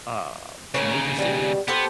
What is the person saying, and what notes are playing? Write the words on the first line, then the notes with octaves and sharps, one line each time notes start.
uh, major cities.
D#2 C#3 A#4 B4 C#5
B2 G3
B3 G4 A4 C5